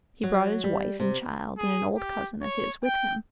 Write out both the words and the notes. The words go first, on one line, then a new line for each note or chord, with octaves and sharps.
He brought his wife and child and an old cousin of his with him.
F#3
G3
C3
G#4
G4
C#5
G5